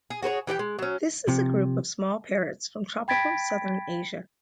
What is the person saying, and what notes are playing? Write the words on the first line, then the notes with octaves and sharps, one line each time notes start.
This is a group of small parrots from tropical southern Asia.
G#4
F#4 G#4 C5 C#5
E3 G4 D5 G5
G#3
F#3 C#4
C3 F3
G5 B5 G#6 A6 B6 D7